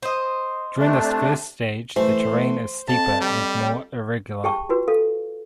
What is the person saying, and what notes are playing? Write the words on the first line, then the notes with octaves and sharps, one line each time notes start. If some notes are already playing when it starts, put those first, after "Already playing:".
During this first stage, the terrain is steeper and more irregular.
C5 D#5
C3 A3 D4
E3 A3 C5
F2 A5
G3
G4 G#4 G5 A5 C#6
F4 F#4 B4
A4 F5